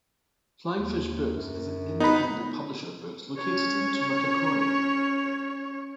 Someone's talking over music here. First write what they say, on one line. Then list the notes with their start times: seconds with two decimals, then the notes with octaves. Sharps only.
Flying Fish Books is an independent publisher of books, located in Tumacacori.
0.77 D#2
1.35 F#2
2.00 B3 D#4 B5
3.38 C#4 C#5